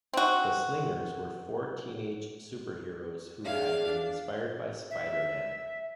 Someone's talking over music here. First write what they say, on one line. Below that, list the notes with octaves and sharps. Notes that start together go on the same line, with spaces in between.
The Slingers were four teenage superheroes who had been inspired by Spider-Man.
C4 F#4
D4 G#4 E5 F5
E5